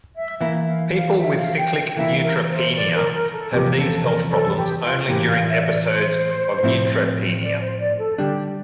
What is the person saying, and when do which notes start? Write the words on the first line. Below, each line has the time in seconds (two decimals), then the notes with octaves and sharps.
People with cyclic neutropenia have these health problems only during episodes of neutropenia.
0.16 E5
0.41 E3 A#3 E4 E5
0.67 F5
0.93 F5
1.19 E5
1.38 F5
1.58 G5
1.78 G5
1.97 E3 A#3 E4 E5
2.23 A#4
2.49 C5
2.74 D5
2.94 A#4
3.13 A#4
3.33 A4
3.52 E2 C3 F3 A#3 G4
3.78 A4
4.04 A#4
4.30 A4
4.56 G4
4.82 F4
5.08 A2 E3 A#3 G4
5.28 F5
5.46 E5
5.65 D5
5.85 C5
6.63 A2 F3 C4 E4
7.41 D5
7.60 C5
7.79 D5
7.99 A4
8.18 D3 G3 D4 G4